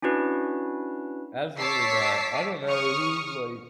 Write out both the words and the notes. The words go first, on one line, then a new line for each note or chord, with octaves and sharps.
Absolutely not. I don't know who, like
C#4 D4 E4 F#4 B4
C#5 A5 D6 E6 B6 C7
C#6 D#6 F6